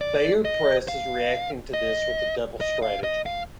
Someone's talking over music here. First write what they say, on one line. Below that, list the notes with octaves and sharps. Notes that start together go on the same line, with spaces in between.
Bayard Press is reacting to this with a double strategy.
D5
D#5
F5
D#5
D#5
F5
D#5
F5